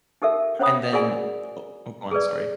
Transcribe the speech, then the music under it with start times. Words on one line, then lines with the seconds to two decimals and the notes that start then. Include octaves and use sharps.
And then, o oh, go on, sorry.
0.22 D#4 G4 A4 A#4 E5
0.59 C#4 C5 C#5 F#5 B5 D#6
0.92 F#4 G#4 A#4 D5 F#5 G#5
2.11 G#4 A4 B4 D5